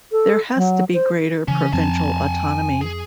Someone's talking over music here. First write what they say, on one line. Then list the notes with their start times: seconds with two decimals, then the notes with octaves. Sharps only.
There has to be greater provincial autonomy.
0.12 A4
0.57 F#3
0.93 C5
1.48 C#3 E3 C#4
1.73 F2 F3 C4 G#5 A5
2.81 G#4